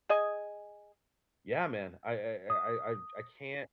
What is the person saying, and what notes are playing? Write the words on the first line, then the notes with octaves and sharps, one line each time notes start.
yeah, man, I I I I I can't
G#4 D#5 G#5
D#6